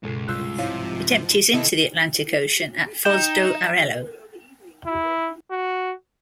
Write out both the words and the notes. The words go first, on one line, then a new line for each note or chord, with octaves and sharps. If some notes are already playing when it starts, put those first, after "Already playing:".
It empties into the Atlantic Ocean at Foz do Arelho.
C#2 G2 B2 G#3
C2 F4 E6 F#6 G6
G#2 C3 F3 E4 C#5 F5
D#2 C3 C4 E4 A4 D#5
D#4 G5 E7
E4
F#4